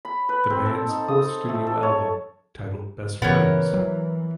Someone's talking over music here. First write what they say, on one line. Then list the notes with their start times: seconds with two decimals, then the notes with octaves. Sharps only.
The band's fourth studio album, titled Best Friends?
0.05 B5
0.29 B4
0.50 C4
0.66 A4
0.89 D#4
1.08 D#6
1.49 A3
1.67 A4
1.83 C#5
3.22 A#2 C#3 E3 B3 A#4 C#5
3.74 F#3